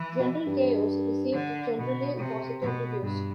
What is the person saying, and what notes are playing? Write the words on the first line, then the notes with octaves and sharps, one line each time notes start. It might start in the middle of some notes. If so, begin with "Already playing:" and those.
"General Chaos" received generally positive reviews.
Already playing: E3
B2
G2
D3
B2
C3
B2
G2